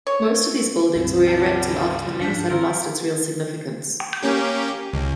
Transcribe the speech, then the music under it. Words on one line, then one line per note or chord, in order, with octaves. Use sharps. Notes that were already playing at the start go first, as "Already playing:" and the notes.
Most of these buildings were erected after the Pnyx had lost its real significance.
C#5
C#2 G2 A#2 C4
C#3 G3 G5 A5
G#2 F3 D4 G6 B6 C#7
D#3 C4 A4 A#4 C6
A#3 C#4 G4
C#2